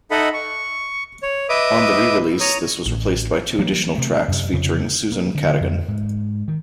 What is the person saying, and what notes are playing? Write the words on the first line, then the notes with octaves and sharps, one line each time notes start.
On the re-release, this was replaced by two additional tracks featuring Susan Cadogan.
D#4 A4 D#5 E5 F#5 B5
C#6
C#5
B4 D#5 E5 D6 D#6
C#5 A#5 D#6
A1
E3 F#3 G3 A#3
C3 A3
F#2 C3
F2 C#3 F3
A#3
D3
F2
G#2
D#3